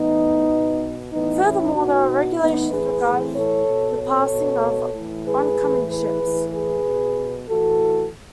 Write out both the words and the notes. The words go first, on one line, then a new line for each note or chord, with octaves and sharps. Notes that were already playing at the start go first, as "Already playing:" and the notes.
Furthermore, there are regulations regarding the passing of oncoming ships.
Already playing: A2 E3 B3 D#4
B2
A2 E3 B3 D#4
C#4 E4
B2 D#4 F#4
A2 E3 B3 D#4
G#4 B4
A2 E3
A4 C#5
B2
A4 C#5
B2
A2 E3
G#4 B4
A2 E3
G#4 B4
A2 E3
G#4 B4
B2
A2 E3 F#4 A4